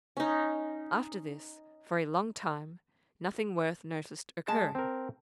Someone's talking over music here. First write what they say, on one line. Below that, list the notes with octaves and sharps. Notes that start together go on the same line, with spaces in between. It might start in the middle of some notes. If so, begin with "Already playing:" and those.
After this, for a long time, nothing worth noticing occurred.
C#4 D#4
G#3 A5
C4 A#4